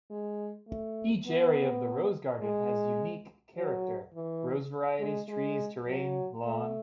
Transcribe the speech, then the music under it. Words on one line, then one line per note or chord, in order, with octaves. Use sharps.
Each area of the rose garden has unique character: rose varieties, trees, terrain, lawn.
G#3
A3
B3
G#3
F#3
E3
G#3
G#3
F#3
A3